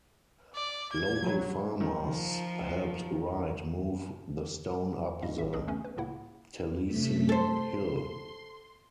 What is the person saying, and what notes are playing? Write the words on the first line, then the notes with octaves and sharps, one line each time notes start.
Local farmers helped Wright move the stone up the Taliesin hill.
D5
G#6
F#3
D#3
F3
E2 G#2 G3 D#5 F5
A#1 A2 E5
B1 C4 D4 G#4 D#5
C#3 A3 B3 C#4
B4
C#2 A2 C#3 A#3 E4 F#5
C3 A3 B6
A4 C5 C6